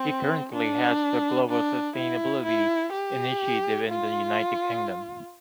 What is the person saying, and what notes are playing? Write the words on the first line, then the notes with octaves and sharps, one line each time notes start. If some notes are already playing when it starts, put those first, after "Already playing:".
He currently heads the Global Sustainability Initiative in the United Kingdom.
Already playing: C4
D4
D4
E4
E4
G4
F4